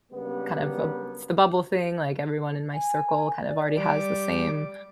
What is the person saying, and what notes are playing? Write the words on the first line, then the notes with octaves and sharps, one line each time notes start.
kind of, uh it's the bubble thing, like everyone in my circle kind of already has the same
C#3 F#3 G3 A#3 B3 D4
G#5
D5
G3 D6